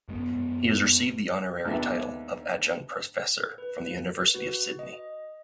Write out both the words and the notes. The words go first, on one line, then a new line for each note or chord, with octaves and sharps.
He has received the honorary title of adjunct professor from the University of Sydney.
F#2 G#3 B3
D#2 G#3 B3 D4 E5
B4
F#4 B4
D#5